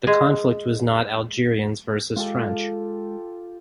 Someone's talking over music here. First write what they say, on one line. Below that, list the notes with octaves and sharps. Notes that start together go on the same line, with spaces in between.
The conflict was not Algerians versus French.
G#3 G#4
G#3 F4 G4 A4